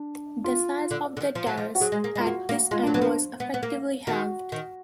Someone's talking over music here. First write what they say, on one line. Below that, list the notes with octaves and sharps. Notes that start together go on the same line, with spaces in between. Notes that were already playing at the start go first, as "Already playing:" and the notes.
The size of the terrace at this end was effectively halved.
Already playing: D4
F4
D3
D3
D#3
F3
F#3
F3
F#4
F#3 G#4
G#3
A#3
G#3
F4
A#3 F#4
A#3
G#3 F4
F#3 D4
F#3 B3
F3
D4
B3
B3
A#3
D#3 F#4
D#3